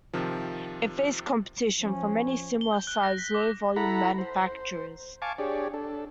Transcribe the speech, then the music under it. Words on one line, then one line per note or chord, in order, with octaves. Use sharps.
It faced competition from many similar-sized low-volume manufacturers.
C3 D#3 F3
F3 C#4
G7
G6
F#6
A#6
B6
D6
E4 A4 F#5 A#5 B5
C5
F5 G#5 A5 C#6 D6
D4 G4 G#4 C#5 D5
D4 A4